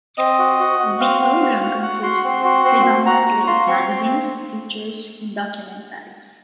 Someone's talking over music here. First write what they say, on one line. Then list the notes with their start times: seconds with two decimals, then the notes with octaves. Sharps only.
The program consists predominantly of magazines, features and documentaries.
0.18 C4 D#5
0.39 F#4
0.60 F#4
0.80 F#4
1.00 C4 F5
1.21 C4
1.42 F#4
1.62 F#4
1.82 F#4 F#5
2.03 F#4 C6
2.23 C4 C6
2.44 F#4 C6
2.65 C4 C6
2.85 F#4
3.06 F#4 A#5
3.26 F#4
3.47 F4 C6
3.67 C4 C#6
3.88 C4 C6